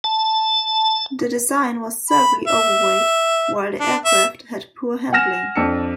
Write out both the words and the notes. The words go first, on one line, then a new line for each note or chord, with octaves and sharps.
The design was severely overweight, while the aircraft had poor handling.
A5
B5
E5
D4
E5
F#5 G#5 F6 A#6 E7
F2 D4 E6 C#7